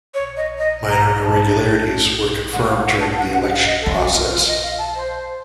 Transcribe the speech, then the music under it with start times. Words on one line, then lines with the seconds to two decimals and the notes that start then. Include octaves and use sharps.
Minor irregularities were confirmed during the election process.
0.14 C#5
0.37 D#5
0.58 D#5
0.90 A#5
1.23 A5
2.53 F#5
2.69 F5
2.84 F#5
3.00 A5
3.17 F#5
3.33 F#5
3.44 F#5
3.50 F5
3.66 D#5
3.81 A4
3.98 F#4
4.14 F4
4.30 F4
4.47 D#5
4.63 F5
4.79 A5
4.95 C5